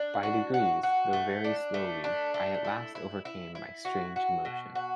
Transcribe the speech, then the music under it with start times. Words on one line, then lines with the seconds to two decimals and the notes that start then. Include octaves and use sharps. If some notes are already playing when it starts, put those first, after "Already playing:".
By degrees, though very slowly, I at last overcame my strange emotion.
Already playing: D4
0.23 F#4
0.54 F#4
0.83 F#4
1.13 A3
1.44 D4
1.74 A3
2.04 D4
2.34 A3
2.65 E4
2.95 E4
3.25 E4
3.55 E4
3.85 F#4
4.16 F#4
4.45 B2
4.75 F#4